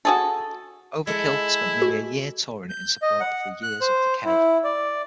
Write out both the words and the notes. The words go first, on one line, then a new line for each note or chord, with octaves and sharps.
Overkill spent nearly a year touring in support of "The Years of Decay".
F#4 G#4 A4
G#3 E4 A4
F#4
G6
D#5
F#5
F#6
C5
E4
D5